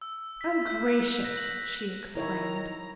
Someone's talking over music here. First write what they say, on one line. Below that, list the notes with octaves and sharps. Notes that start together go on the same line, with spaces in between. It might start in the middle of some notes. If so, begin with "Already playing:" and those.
"Oh, gracious!" she exclaimed.
E6
B6
G6
F#6
A#6
F#7
D#3 E4 C#5 E5 A#5